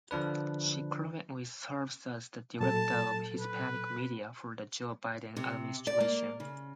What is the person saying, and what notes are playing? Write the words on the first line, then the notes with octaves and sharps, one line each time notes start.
She currently serves as the director of Hispanic media for the Joe Biden administration.
D3 F3 D4 B4
A#2 F#3 A4 A5
B4
C3
D5
A#3
C#3